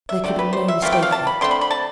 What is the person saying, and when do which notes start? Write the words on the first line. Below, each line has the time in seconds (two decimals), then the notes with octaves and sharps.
There could be no mistaking it.
0.09 E5
0.24 D3 A3 C4 D5
0.39 B4
0.53 C5
0.68 E5
0.82 E3 A3 C4 F5
0.93 G5
1.02 F5
1.12 A5
1.27 B5
1.41 D3 A3 C4 C6
1.51 B5
1.61 B5
1.71 A5